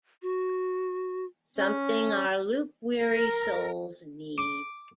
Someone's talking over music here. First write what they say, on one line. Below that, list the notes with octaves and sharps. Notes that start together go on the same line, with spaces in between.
Something our loop-weary souls need.
F#4
C#4
A#4
D6